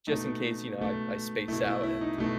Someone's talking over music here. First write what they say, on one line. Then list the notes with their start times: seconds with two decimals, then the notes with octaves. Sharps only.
just in case, you know, I I space out and,
0.07 B2 A3 D#4
0.78 B2 A3
1.48 B2 A3 E4
1.65 E4
1.83 E4
2.01 D#4
2.18 B2 A3 D#4